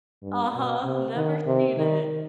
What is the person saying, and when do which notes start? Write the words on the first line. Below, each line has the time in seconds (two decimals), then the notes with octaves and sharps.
Uh-huh. Never seen it.
0.22 G2
0.54 B2
0.84 C3
1.16 D#3
1.47 C3
1.77 D#3